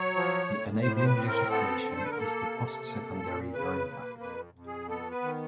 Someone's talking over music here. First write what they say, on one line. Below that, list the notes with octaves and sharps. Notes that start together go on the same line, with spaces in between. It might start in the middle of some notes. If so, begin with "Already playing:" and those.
The enabling legislation is the "Post-secondary Learning Act".
Already playing: F#3 C#5
F3
A2
A2 C5
C5
B4
C4
A#4
B3 A4
D3
C5
B4
A#4
A#3 A4
C3
A#3
A#2
C#3 B4
A#3
F2 B4
F2
G#4
B3 A4
B4
D#3